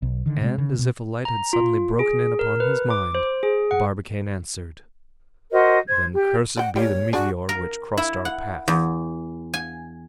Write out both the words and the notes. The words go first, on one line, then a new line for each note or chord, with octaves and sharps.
And, as if a light had suddenly broken in upon his mind, Barbicane answered, "Then cursed be the meteor which crossed our path."
B1
D3 D#3
C3 G#3
C#3
B2
A#5
F4
G#4
A#4
B4
D6
C5
G#4
F#5
F#4 A#4 C5 D#5
C5 G#6
G4
D5 F#5 G5
G3 A#3 C#5 G5
D4 F#4 G#4 D5
A#4
E4
F#5
E2
G#5